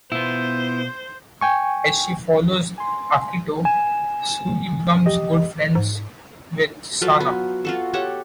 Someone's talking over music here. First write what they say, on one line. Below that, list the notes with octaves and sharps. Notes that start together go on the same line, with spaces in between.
As she follows Akito, Shuri becomes good friends with Sana.
B2 B3 E4 F4 C5
G5 G#5 C#6
G#5 C6
G#5 E7
G4 D#5
G#2
F#3 F4 A4 B4
B3 G#5
F4 F#4 A4
G4 A4 C#5 F#5